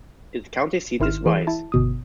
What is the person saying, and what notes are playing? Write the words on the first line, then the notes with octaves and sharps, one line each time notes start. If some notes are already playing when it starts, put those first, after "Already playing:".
Its county seat is Wise.
G#1 D#3 E4 C6 F6 E7
E3 G#4 C7
E4 A5
G1 B2 D#6